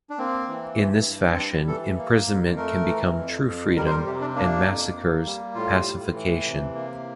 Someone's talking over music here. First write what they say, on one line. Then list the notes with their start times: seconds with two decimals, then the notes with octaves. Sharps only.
In this fashion, imprisonment can become "true freedom", and massacres "pacification".
0.10 D4
0.18 A#3 C4
0.48 E3
0.78 G2
1.08 G2
1.33 C4
1.37 G3 D4
1.67 E3 A4
1.98 A#3
2.27 F2
2.57 A3 A#4
2.86 E3
3.17 F2
3.46 F2
3.77 G3 A#4
3.86 C5
3.91 A#4
4.06 C3 G4
4.21 D4
4.36 A#3 D4
4.66 F2
4.96 A#3
5.26 G3
5.55 A2 F4
5.85 A2
6.14 E3
6.45 C3
6.75 A#3